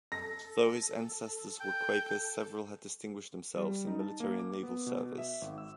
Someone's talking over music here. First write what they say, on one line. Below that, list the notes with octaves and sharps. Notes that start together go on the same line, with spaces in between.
Though his ancestors were Quakers, several had distinguished themselves in military and naval service.
A4 A#6
G5
G3
D#4
A5
A#3
D6
B3
B2
E5
G#1
E6